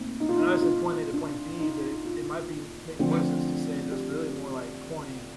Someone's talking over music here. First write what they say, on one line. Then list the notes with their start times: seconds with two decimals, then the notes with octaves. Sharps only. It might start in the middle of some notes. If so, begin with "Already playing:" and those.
I know I said point A to point B, but it might be make more sense to say that's really more like, point
Already playing: A#2 A3 C4 D#4
0.20 D#4
0.29 F4
0.38 D#4
0.62 F4
0.66 D#4
1.13 D4
1.60 D#4
2.05 F4
2.99 D3 F3 A3 C4
3.91 G4